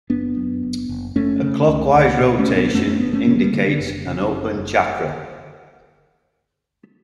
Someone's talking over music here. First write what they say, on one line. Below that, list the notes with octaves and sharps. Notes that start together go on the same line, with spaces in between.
A clockwise rotation indicates an open chakra.
F#1 B3 D4
F#2
F#1
F#1
F#1 A3 C#4
C#3
C#2
C#2
B2
A3 C#4
C#2
B3 D4
F#2 A3 C#4
A3 C#4
G1 B3 D4
A3 C#4
C#3 A3 C#4
G3 B3
G1 D3
D3
F#1
C#3
F#1
F#1